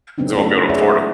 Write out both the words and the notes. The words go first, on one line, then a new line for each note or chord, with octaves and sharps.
'cause they won't be able to afford 'em.
C#3 F#3 B3 C4 D4 D#4
A3 C#4 E4 A4
G#4 B4 C#5 D5 E5 F#5